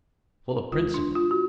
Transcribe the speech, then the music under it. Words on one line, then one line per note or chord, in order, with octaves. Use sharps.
Full of principle.
D2 D3 G#3 F4
D4
F4
F#4